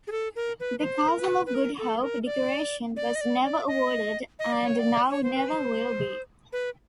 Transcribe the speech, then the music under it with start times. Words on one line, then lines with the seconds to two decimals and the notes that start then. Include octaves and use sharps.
The Castle of Good Hope Decoration was never awarded and now never will be.
0.07 G#4
0.12 A4
0.36 A#4
0.60 B4
0.79 B4
0.84 C5
1.08 A#4
1.19 B4
1.46 B4
1.54 A#4
1.78 A4
2.02 A#4
2.26 D5
2.97 D5
3.15 D#5
3.21 D5
3.44 D5
3.68 D#5
4.39 D#5
4.52 D5
4.66 C#5
4.79 D5
5.10 C#5
5.24 C5
5.36 B4
5.48 C5
6.53 B4